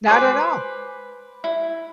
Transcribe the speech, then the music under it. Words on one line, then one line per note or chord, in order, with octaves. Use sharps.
Not at all.
B4 C5 G#5 D6
E4